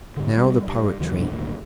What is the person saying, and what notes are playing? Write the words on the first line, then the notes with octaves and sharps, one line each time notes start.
"Now the poetry."
G#2 D3
G3 B3
G2
D#2 C#3 E3 F#3
C2 G2 B2 D4
G#1 D2 A#2